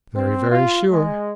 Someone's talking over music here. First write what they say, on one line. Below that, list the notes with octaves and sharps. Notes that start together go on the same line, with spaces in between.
"Very, very sure!"
C4
F4
G#3